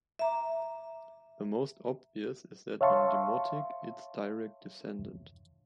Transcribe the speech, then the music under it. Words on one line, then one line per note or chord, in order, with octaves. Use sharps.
The most obvious is that on Demotic, its direct descendant.
E5 A#5 D6
C#5 E5 F5 A5 C6 C#6